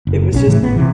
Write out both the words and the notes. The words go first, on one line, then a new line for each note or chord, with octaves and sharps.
it was just
F#1
B1 E3 C#4
A2 C#3 E3
A1 B3
C3 E3